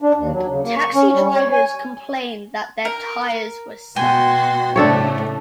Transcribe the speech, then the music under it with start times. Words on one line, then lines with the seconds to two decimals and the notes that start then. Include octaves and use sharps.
Taxi drivers complained that their tires were slashed.
0.02 D4
0.18 D#2
0.33 F#3
0.49 C#3
0.63 A#3
0.76 C#6
0.95 C#4
1.14 G3
1.35 C#5
1.53 G#5
2.85 A#4
3.96 B2 F#4 G5 G#5 C6
4.76 A2 C#3 A3 D4 A4 C#5